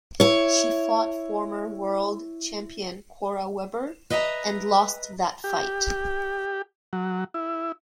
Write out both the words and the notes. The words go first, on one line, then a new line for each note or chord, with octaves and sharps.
She fought former world champion Cora Webber, and lost that fight.
E4 C#5
B4 D#5 E5 F#5 A#5
G4
F#3
E4